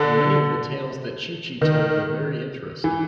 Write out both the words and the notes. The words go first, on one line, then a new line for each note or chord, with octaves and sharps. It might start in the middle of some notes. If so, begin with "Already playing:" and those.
And many of the tales that Chee-Chee told were very interesting.
Already playing: D3
D#3
E3